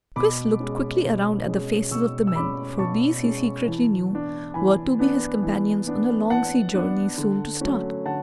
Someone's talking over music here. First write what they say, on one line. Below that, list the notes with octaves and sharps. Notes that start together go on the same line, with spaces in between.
Chris looked quickly around at the faces of the men, for these, he secretly knew, were to be his companions on a long sea journey soon to start.
B2 B5 D6
G#3 C#4
B2
G#3 C#4
B2 C#6 E6
E6
G#3 C#4 B5 D6
B2 A5 C#6
G#3 C#4
E3
B3 D4
E3 G#5 B5
B3 D4
E3
B3 D4
E3 F#5 A5
B3 D4
D3
F#3 A3 C#4
D3 F#5 A5